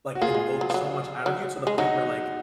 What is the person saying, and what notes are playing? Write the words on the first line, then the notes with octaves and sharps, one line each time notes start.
like invoke so much out of you to the point where like
F#4
A#3 F4 G#4
G#3
F#3
F3
F#3
F#3
G#3
F#3 D#4 F#4